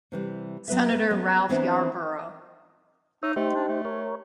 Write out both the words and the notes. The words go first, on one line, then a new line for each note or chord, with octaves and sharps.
Senator Ralph Yarborough.
C3 E3 G3
F#3 B3 B4 E5
A#4 B4
F#3 B3 C#4
E3 B3 C4 D4 E4
D#4 C#5 E5
A3 D#4 G4 C5
D4
A3
A#4 C#5